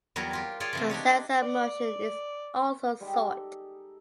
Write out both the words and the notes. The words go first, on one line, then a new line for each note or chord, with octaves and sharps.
A sense of motion is also sought.
E2 F#3 G3 A#4 C#5
F4 G4
F4 G#4 C#5 D5 G5
C3 E3 F3
D4 D#4 G4 C#5
D5
G3 G#3 D#4 G4
A4